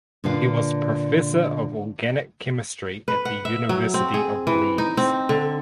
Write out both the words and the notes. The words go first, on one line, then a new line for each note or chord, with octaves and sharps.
He was Professor of Organic Chemistry at the University of Leeds.
A#2 D3 B4 F5
B4
F#5
E5
F#3
C4
G#4
E3
D#4
C4
D3